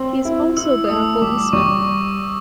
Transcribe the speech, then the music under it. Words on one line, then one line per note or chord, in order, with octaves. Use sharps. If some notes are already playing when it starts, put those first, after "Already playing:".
He has also been a policeman.
Already playing: C4 E6
E4
E4 E6
D#6
A3 E6
G3 D6
G3 C#6